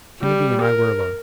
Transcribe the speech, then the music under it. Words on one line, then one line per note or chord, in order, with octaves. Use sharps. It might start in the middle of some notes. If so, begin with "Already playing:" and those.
Kennedy and I were alone.
G3
A#4